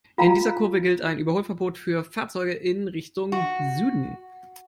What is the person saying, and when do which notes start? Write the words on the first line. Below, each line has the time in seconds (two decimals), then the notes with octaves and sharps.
In dieser Kurve gilt ein Überholverbot für Fahrzeuge in Richtung Süden.
0.18 F4 F5 A#5
3.32 F#4